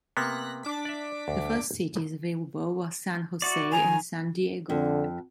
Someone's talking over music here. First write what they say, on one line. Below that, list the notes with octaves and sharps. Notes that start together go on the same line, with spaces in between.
The first cities available were San Jose and San Diego.
C3 A#3 B3 F#6 A#6 B6
D4 D6 B6
D5 E5
D2
E4 F#4 D5
D#3 G#5 A#5
F2 D3